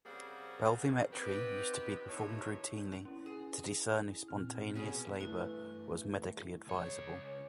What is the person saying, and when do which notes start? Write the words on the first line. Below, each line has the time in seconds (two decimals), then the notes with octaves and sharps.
Pelvimetry used to be performed routinely to discern if spontaneous labour was medically advisable.
0.06 C#3 G3 A#3 C4 G#4 F#5
1.13 B3 C4 D#4 G4 B4
2.09 D#2 A2 C3 E3 C#5
3.05 C#4 E4
3.26 G#4
4.28 A#2 C4 F6
4.75 B2 C#4 G#4
5.21 G2 E3 A3 B4
6.67 C#2 C#5